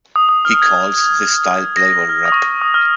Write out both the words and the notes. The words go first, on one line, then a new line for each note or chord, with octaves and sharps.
He calls this style playboy rap.
D#6
D#6
F6
G#6
A#6
A#6
F6
D#6
C#6
D#6
D#6
F6